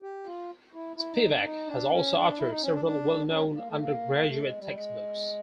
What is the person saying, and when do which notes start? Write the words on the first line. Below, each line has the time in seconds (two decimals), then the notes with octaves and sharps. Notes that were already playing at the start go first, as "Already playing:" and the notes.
Spivak has also authored several well-known undergraduate textbooks.
0.02 G4
0.26 F4
0.73 E4
0.96 E4
1.12 D#4
1.28 D4
1.44 D#4
1.67 D4
1.91 C#4
2.14 D4
2.38 E4
2.49 D#4
2.61 C#4
2.73 D4
2.85 D4
3.27 D4
3.32 C#4
3.56 A#3
3.67 A3
3.79 A#3
4.26 A3
4.42 G#3
4.58 G3
4.73 G#3